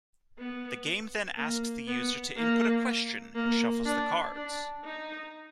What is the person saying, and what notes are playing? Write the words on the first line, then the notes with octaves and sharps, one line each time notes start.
The game then asks the user to input a question, and shuffles the cards.
B3
A#3
B3
A#3
A#3
D4
D4
D#4